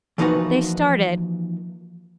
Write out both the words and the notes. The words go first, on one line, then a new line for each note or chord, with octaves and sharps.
They started.
E3 F3 A#3 D#4 F#4 B4